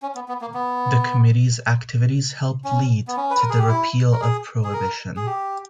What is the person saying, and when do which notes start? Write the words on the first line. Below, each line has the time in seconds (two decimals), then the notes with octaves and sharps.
The Committee's activities helped lead to the repeal of prohibition.
0.02 C#4
0.15 B3
0.28 B3
0.41 A#3
0.54 B3
2.64 C#4
3.08 B3
3.17 C#4
3.30 B4
3.40 A#4
3.50 G#4
3.59 G4
3.69 E4
4.13 A#4
4.21 G#4
4.64 G#4
4.73 A#4
5.16 G#4
5.26 G4